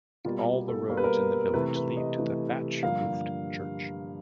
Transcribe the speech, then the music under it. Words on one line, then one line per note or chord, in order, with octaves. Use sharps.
All the roads in the village lead to the thatch roofed church.
B2 G3 A#3 F4
A4
B2 G3 A#3 A#4
B4
A#4
C3 E3 A3 B4
B4
D#5
C3 E3 A3
G2 D3 F3 A#3 F5